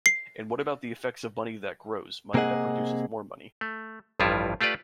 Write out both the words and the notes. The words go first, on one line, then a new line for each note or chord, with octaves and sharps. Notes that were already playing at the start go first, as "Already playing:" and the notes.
And what about the effects of money that grows, money that produces more money?
C7
C3 A#3 C4 G#4 D#5 F#5
A3
A1 G2 F3 G3 E4 F4
A3 F4 G4 B4 D5